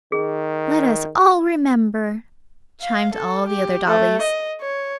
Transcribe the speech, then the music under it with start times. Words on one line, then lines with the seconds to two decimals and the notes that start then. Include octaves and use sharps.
"Let us all remember," chimed all the other dollies.
0.12 D#3 G#4
2.81 F5
3.14 A4
3.48 G4
3.88 A3
4.22 D#5
4.61 C#5